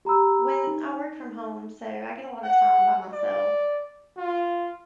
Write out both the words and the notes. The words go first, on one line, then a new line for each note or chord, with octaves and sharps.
with I work from home, so I get a lotta time by myself
G4 A#5 B5 E6
D#4
F#5
D5
F4